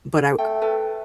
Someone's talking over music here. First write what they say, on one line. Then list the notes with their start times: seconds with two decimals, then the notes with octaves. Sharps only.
but, I
0.38 A3 G5
0.62 A4 B4 G5